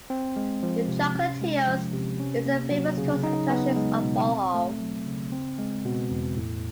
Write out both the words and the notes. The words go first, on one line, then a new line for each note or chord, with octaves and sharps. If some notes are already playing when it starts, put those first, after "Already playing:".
The Chocolate Hills is a famous tourist attraction of Bohol.
C4
G#3
F3
C3
C#4
G#3
F3
C3
C#4
A#3
F#3
C#3
D#4
B3
G#3
B2
C4
A3
F#3
C#3
C4
G#3
B2
E2
A2